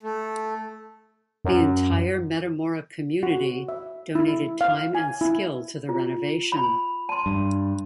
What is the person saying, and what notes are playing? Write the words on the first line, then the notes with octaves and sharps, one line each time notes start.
The entire Metamora community donated time and skill to the renovation.
A3
F#2
F#4
E5
E4
F5
G#5
E4
F4
B5
A5 C6
G2